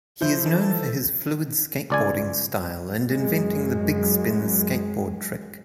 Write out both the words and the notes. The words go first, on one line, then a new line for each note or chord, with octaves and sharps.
He is known for his fluid skateboarding style and inventing the "Bigspin" skateboard trick.
F3 E4 C5 G6
E3 A4 A5
C#2 D5 G#5
F#2 G#3